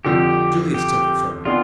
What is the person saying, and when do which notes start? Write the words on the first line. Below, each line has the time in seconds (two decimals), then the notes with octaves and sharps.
Julius took it from him.
0.05 F2 D3 F3 G4
0.74 G4
1.45 D#3 B3 D4 F4 G#4 D5